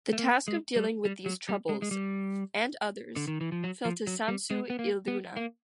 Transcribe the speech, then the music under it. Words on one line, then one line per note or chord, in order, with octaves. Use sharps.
The task of dealing with these troubles-and others-fell to Samsu-iluna.
A3
A#3
G#3
G3
G3
F#3
G3
G#3
G#3
G3
D3
D#3
E3
F3
F#3
F3
F#3
G3
G#3
B3
A#3
B3
A#3